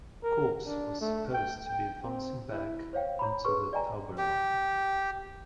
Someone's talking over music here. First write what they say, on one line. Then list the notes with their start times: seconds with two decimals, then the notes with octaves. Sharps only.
Corps was supposed to be advancing back onto the Tauber line.
0.23 A#4
0.67 D4
1.01 A3
1.33 G5
1.67 G5
2.03 C4
2.52 E4
2.93 C5 C#5 F5 G5
3.19 C#5 A#5 B5
3.44 G#4 A4 B4 C6 C#6
3.73 D5 D#5 G5 G#5 A#5
4.18 G4